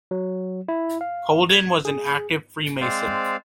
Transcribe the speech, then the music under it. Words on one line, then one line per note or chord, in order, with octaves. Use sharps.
Colden was an active Freemason.
F#3
E4
F5
G#6
G#4
G#3 C4 C5 D5 F5